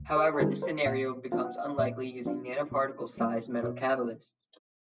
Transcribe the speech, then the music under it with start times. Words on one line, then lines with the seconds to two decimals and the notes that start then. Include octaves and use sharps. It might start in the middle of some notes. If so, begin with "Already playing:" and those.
However, this scenario becomes unlikely using nanoparticle-sized metal catalysts.
Already playing: D2
0.16 G#4
0.34 A4
0.39 D3 G3 C4 E4 G#4 A#4
0.62 A#4 C5
0.86 A#2 E5 F#5
1.32 F#3 B3 D4 F4 F5
1.45 F#5
1.58 D#5 F5
1.78 A#2 D5 E5
2.25 F#3 B3 D4 F4
2.72 B2
3.17 G3 A#3
3.63 B2 C#5 D#5